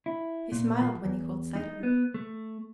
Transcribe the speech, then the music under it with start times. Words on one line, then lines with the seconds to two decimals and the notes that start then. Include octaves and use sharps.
He smiled when he caught sight of her.
0.06 E4
0.52 A#2
0.81 F3
1.05 E2
1.55 D#4
1.83 B3
2.14 A3